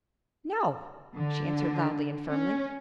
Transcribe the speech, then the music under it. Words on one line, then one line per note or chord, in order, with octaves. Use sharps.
"No!" she answered, loudly and firmly.
D3
C#4